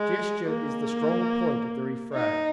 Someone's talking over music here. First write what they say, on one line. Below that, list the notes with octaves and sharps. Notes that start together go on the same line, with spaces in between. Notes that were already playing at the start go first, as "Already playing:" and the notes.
Gesture is the strong point of the refrain.
Already playing: G#3
A#3
D#4